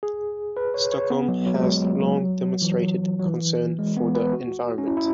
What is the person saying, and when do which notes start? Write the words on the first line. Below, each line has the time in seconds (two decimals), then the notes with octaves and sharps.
Stockholm has long demonstrated concern for the environment.
0.03 G#4
0.57 B4
0.74 C#5
0.92 C#5
1.10 B3
1.28 F#3
1.46 F#3
1.54 G#3
1.61 F#3
2.62 E3
2.72 F#3
3.19 F#3
3.25 E3
3.79 G#3
3.97 B3
4.15 B4
4.33 F#4
4.78 C#4
4.87 E4
4.97 E4